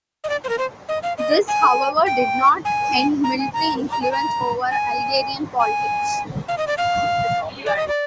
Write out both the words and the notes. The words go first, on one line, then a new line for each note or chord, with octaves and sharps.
This, however, did not end military influence over Algerian politics.
D#5
D5
C5
A#4
C5
D#5
F5
D#5
G#5
G5
G#5
A#5
G#5
A#5
A#5
G#5
A#5
G#5
G#5
F5
D#5
D5
F5
D5
D#5
D5